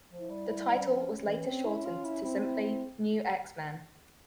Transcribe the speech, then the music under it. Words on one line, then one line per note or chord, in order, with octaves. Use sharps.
The title was later shortened to simply "New X-Men".
F3
E4
G3
G3 E4
G3
C#4
F3
E3
C4
E4
F4
E4
C4 E4
C#4
E4
E4